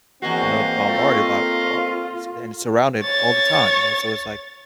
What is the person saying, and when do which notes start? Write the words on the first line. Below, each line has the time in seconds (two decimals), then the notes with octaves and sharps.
you know, bombarded by all and su and surrounded all the time, you know, so it's like,
0.22 E2 A#3 C4 F#4 D#5 F5
0.88 A3 F4
3.03 C#5 A6